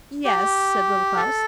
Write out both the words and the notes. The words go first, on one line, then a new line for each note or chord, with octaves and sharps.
'Yes,' said Little Klaus.
G4
A4